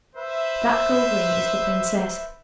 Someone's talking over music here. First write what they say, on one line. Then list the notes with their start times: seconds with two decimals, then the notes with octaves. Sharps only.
That gold ring is the princess.
0.16 B4 C5 E5